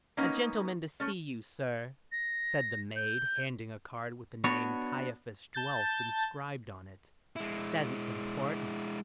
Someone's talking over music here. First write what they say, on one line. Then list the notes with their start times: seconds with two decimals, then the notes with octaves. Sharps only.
"A gentleman to see you, sir," said the maid, handing a card with the name Caiaphas Dwelf inscribed on it; "says it's important."
0.17 A#3 B3 C#4 D#4
1.00 A3 C#4
2.12 A#6
2.96 G6
4.44 B3 D4 F#4 C#5
5.54 A5 G6 A6
7.36 G#3 E4